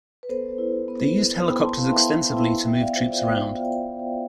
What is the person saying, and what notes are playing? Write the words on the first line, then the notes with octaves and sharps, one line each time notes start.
They used helicopters extensively to move troops around.
B4
B3 A4 C5
E4
B3
E4
B3 G5 B5
A5 C6
E4 F5 A5
E5 G5
B3
E4
B3 E5 G5
D5 F5
F4 C5 E5
D5 F5
B3 E5 G5